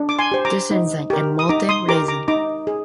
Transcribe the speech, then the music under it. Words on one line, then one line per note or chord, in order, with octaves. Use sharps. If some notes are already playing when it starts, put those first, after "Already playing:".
This is an emotive reason.
Already playing: D4
D6
G#5 C6
G4 C5
A#5 D6
D#4
G4 A#4
D#6
D#4 A#5 D6
C6 D#6
G4 A#4 A#5 D6
A#5 D6
D#4 A#5 D6
G#4